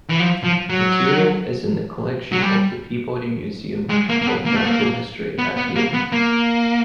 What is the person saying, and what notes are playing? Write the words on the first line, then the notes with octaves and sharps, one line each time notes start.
Material is in the collection of the Peabody Museum of Natural History at Yale.
E3
F3
F3
F#3
F#3
G3
G#3
A#3
A#3
B3
A#3
A3
A#3
B3
B3
A#3
B3
A#3